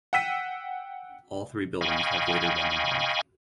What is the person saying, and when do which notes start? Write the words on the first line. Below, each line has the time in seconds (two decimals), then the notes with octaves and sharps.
All three buildings have later been demolished.
0.13 F#5 G5 E6 B6 D#7
1.81 D#5 F5 G5 G#5 B5 C#6